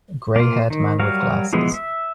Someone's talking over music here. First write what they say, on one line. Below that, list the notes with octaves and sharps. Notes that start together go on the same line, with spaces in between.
Grayhaired man with glasses.
A#3 F4
D#3
F#3 G3 F#4 A#4 F5
E3 F3 G#3 B3
E5